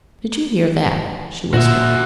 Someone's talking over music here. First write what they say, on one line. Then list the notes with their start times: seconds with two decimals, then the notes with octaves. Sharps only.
"Did you hear that?" she whispered.
1.54 A#2 F#4 E5